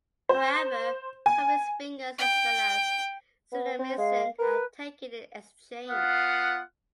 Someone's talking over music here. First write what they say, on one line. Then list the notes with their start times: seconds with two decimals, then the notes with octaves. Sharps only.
However, two of his fingers, as well as Cinnaminson, are taken in exchange.
0.29 C5
1.26 G#5
2.18 G5
3.53 B3
3.79 C4
3.98 G#3 F5
4.39 A#4 B4
5.88 B3 F4 F5 F#5